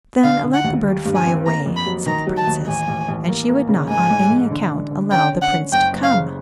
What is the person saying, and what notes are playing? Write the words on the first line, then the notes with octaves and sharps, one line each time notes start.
'Then let the bird fly away,' said the Princess; and she would not on any account allow the Prince to come.
D3 F5
D3
F#5
D#2
G3
G2
G#5
C4
A#3 A#5
F2
B5
F#3
D#3 A#5
F#3
A5
D#2
A1 G#5
A1
A1
A#3
A#3
C#3
G#2 G#5
G#2
A1
D3
D3
D3
C#4 G5
D3
F#5
C#4
F#1 G5
F#1
F5
C#3